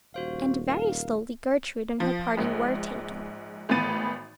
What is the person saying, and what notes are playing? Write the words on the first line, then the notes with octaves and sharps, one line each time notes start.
And very slowly Gertrude and her party were taken.
D#1 F#4 C5 F5
A#4 F5
F3
A#1 G#2
G#1 A2 E3 B3 A6 D#7